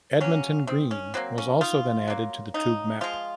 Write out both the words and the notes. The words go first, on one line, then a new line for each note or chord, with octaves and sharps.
Edmonton Green was also then added to the Tube map.
F#3 A#3 C#4
D#3 C4
C#4
F#3 A#3 C4
C#4
D#3 F4
F#3 A#3
C#3 D#4
F3 G#3 F4